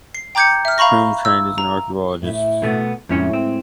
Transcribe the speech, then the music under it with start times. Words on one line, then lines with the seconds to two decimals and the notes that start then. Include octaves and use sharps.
Croome trained as an archaeologist.
0.15 C7
0.35 G5 A#5 D6 G6 G#6 C#7
0.65 E5 F6
0.78 F5 A#5 B5 C#6 A#6
1.25 E6
1.58 A#5
2.22 A2 E4 E5
2.62 B2 A3 B3
3.09 F2 A2 G#3 C#4 E4 C#5
3.33 C4